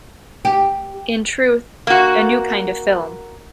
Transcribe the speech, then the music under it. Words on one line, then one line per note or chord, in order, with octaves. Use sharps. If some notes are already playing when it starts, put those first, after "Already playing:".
In truth, a new kind of film.
G4
A#3 F#4